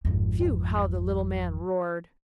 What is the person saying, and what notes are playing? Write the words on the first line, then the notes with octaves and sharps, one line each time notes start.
Phew! how the little man roared.
G#1 F2